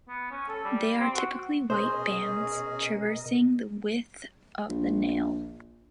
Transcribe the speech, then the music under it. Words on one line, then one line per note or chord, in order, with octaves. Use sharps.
They are typically white bands traversing the width of the nail.
B3
C#4
A4
G3
C4
F#4
B2 C#4 G#4 A#4 C5 D#5
A#1